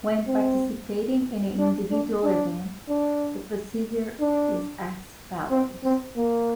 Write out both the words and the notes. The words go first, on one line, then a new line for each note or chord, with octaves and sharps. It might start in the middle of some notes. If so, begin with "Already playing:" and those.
When participating in an individual event, the procedure is as follows.
C4
D4
D4
D4
D4
D4
C4
C4
A#3